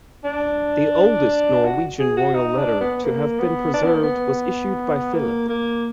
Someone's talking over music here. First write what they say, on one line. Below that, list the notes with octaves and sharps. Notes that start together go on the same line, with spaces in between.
The oldest Norwegian royal letter to have been preserved was issued by Philip.
D4
F#4
G#4
F#4
D#4
D4
B3
A#3
B3
D4
B3
A#3
B3
A#3
A#3